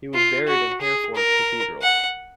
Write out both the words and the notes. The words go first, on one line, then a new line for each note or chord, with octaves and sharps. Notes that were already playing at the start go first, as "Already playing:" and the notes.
He was buried in Hereford Cathedral.
F4
F#4
G#4
A#4
F#5